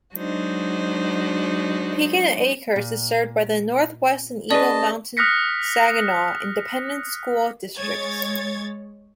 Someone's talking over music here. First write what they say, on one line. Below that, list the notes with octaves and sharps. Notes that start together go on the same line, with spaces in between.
Pecan Acres is served by the Northwest and Eagle Mountain-Saginaw Independent School Districts.
F#3 G#3 D4 D#4 F#4 C5
A#2
C#4 G#4 B4 D5 D#5 A5
D#6 F6 F#6 A#6 B6 C#7
G#3 C#5 G#6 A6